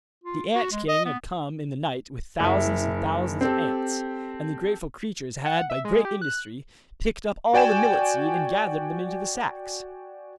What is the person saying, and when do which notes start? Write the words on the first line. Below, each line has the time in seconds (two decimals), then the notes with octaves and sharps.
The ant-king had come in the night with thousands and thousands of ants, and the grateful creatures had by great industry picked up all the millet-seed and gathered them into the sacks.
0.24 F4
0.54 F#4
0.72 G#3
0.88 D#5
1.06 B3
2.40 F#1 E4
3.41 C4 G4 A4
5.45 F#5
5.70 E5
5.85 G#3
6.05 G4
6.22 F#6
7.54 F#4 D5 G5 G#5 E7